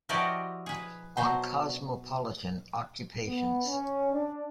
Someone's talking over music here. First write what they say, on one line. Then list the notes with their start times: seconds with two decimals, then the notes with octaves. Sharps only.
'On Cosmopolitan Occupations.
0.09 F3 E4 F#4 G4 D5 D#5
0.66 G#4 B4
1.17 B2 F#3 C5
3.26 B3
3.66 C#4
4.13 D4